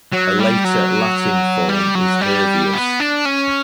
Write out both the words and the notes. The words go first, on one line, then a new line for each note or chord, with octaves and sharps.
A later Latin form is Herveus.
F#3
G3
F#3
G3
F#3
G3
B3
D4
C#4